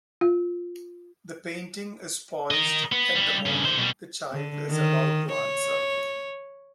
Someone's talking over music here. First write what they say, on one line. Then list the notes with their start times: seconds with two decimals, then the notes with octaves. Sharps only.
The painting is poised at the moment the child is about to answer.
0.21 F4
2.51 A#4 D#5
2.92 B3
3.15 G3 E4
3.46 G2 C#3
3.65 D3 C5
3.77 B2 G3
4.31 D3
4.71 D#3
5.32 C#5